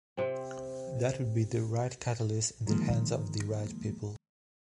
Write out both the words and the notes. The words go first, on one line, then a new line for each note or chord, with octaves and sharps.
That would be the right catalyst in the hands of the right people.
C3 C4
D3 D#3 F3 G#3 A#3